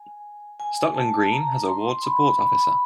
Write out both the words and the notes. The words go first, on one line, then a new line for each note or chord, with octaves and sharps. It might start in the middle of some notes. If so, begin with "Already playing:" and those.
Stockland Green has a Ward Support Officer.
Already playing: G#5
G#5
A5
A#5
C6
B5
B5